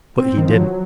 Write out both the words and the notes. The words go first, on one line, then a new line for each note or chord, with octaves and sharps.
But he didn't.
C4
D#3
F3
F#3